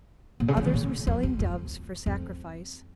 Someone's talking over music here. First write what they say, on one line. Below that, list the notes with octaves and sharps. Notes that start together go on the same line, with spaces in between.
Others were selling doves for sacrifice.
A#2
C#3
F3
D#3
A#2
F2
F#2
F2
F2